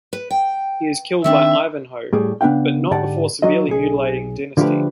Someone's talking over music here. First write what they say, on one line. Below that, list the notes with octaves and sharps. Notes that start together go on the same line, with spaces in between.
He is killed by Ivanhoe, but not before severely mutilating Dynasty.
B4
G5
D#3 C4 D4 E5
A2 G3 G#4
C#3 B3 D4 F5 G5
G#2 D3 G4 D5 F#5 A5
F#3 F4 D#5
B1 G#4
D3 F3 A3 F4 G4 B4